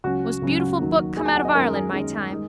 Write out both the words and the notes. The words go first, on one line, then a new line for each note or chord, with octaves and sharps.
Most beautiful book come out of Ireland my time.
C#2 C#3 F#3 C#4 F#4
C#2 C#3 F#3 C#4
F#4
D#2 D#3 F#3
D#2 D#3 F#3 G#4
G#5
F#5
D#5
F#2 D#3 G#3 C#4 A#4
G#4
F#2 D#3 G#3 C#4
D#3 G#3